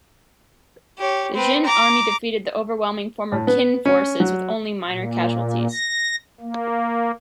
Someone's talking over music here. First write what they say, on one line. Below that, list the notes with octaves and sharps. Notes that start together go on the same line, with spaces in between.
The Jin army defeated the overwhelming Former Qin forces, with only minor casualties.
G4 C#5
C4 B4
A#5 D6
A2
B3
C#4
F#3
A#2
A#6
A#3